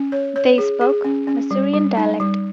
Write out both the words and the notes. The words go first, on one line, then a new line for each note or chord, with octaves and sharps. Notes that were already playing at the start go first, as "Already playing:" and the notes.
They spoke Masurian dialect.
Already playing: C#4
C#5
C#5
G#4
G#4
C#4
C#4
G3
G3
D#4
G3